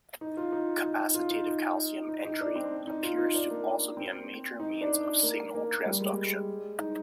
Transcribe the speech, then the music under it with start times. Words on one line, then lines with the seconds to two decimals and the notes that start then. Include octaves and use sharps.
Capacitative calcium entry appears to also be a major means of signal transduction.
0.21 D#4
0.37 F4
0.52 D#4
0.84 D#4
1.15 F4
1.31 D#4
1.47 D#4
2.09 D#4
2.25 D#4
2.41 D4
2.56 C4
2.87 D#4
3.03 F4
3.18 D#4
3.34 D4
3.51 A#3
3.97 C4
4.60 D#4
4.70 D#4
4.81 D4
5.23 A#3
5.54 A#3
5.86 G3
6.00 G#3
6.79 D#4